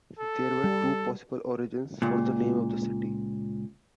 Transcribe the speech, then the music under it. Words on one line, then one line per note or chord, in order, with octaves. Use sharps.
There are two possible origins for the name of the city.
A4
G3
C#2 A#2